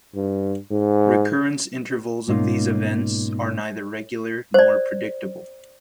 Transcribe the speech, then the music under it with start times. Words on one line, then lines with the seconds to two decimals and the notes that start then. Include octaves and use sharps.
Recurrence intervals of these events are neither regular nor predictable.
0.15 G2
0.71 G#2
2.28 G#2 B2 A#3 C#4 D#4 F4
4.54 C5 D5